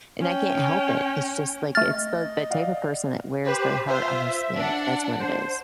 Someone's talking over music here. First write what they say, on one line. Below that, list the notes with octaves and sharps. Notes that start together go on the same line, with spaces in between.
and I can't help it. It's just, like, it's the the type of person that wears their heart on their sleeve. That's what it is.
C#4 G5
A3 D#5 F6 A6
D5 F5 F#5
G4 B4 C5
F4 C5 E5
D4 F#5
C5